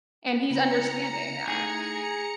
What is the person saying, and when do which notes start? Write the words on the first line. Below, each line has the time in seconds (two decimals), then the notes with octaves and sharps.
And he's understanding that.
0.50 C#3 E4 A#5 C#7
1.48 A3 D#4 E4 G#4